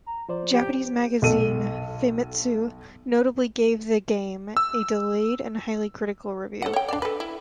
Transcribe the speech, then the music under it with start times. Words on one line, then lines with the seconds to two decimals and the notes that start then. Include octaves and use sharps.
Japanese magazine "Famitsu" notably gave the game a delayed and highly critical review.
0.06 A#5
0.29 F3 F4 C5 D5
0.53 G4
1.22 B1 A4 D#7
4.57 E6
6.62 A4 F#5
6.73 C#5 G5
6.88 D4 D5
7.02 A4 B4
7.20 E4